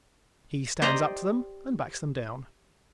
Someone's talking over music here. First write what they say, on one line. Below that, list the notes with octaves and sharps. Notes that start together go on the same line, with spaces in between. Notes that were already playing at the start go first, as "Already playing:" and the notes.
He "stands up to them" and backs them down.
G4 C5 D5 D#5 A#5